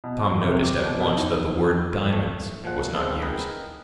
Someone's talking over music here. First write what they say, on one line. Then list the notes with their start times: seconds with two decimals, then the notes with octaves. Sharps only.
Tom noticed at once that the word "diamonds" was not used.
0.04 B2
0.42 C3
0.63 D6
0.83 B2
1.00 B2
1.17 D#4
1.33 D#6
2.13 A2 A3
2.64 A#2 F3 G#3 F#5
2.94 B3 C4 F4 G#4 A4
3.22 G#4 A#4 B4 D#5 G5